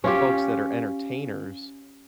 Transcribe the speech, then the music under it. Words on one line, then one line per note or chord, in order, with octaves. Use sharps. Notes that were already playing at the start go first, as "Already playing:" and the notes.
for folks that are entertainers,
C#4 F4 G4